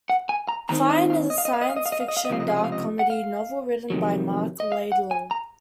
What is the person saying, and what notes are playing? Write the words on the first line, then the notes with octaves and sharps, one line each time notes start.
Fine, is a science fiction dark comedy novel written by Marc Laidlaw.
F#5
G#5
A#5
D#2 D#3 F#3 C4 D#4 A#5
D#5
F5
D#5
F5
D#5
F5
D#5
F5
D#5
F5
D#5
F5
D#5
F5
D#5
C#2 C3 F3 F5
D#5
F5
D#5
F5
D#5
F#5
F5
F2 C3 D#3 F#3
D#5
F5
F#5
G#5
A#5